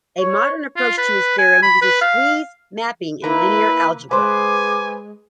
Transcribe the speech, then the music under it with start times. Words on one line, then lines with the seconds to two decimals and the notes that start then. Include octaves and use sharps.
A modern approach to his theorem uses squeeze mapping in linear algebra.
0.19 C#5
0.76 F4
0.98 B4
1.38 G#5
1.62 B5
1.82 B4
2.01 F5
3.24 A#3 E4 B4 A#5
4.11 G#3 B4 C5 G#5 D6